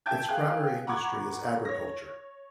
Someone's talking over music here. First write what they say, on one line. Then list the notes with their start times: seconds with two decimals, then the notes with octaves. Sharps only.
Its primary industry is agriculture.
0.06 E5 G5 A5 G6 G#6
0.28 G#4 F5 G5 F#6
0.87 F#5 A#5 B5 C#6 D6 G#6
1.65 C#5 A#6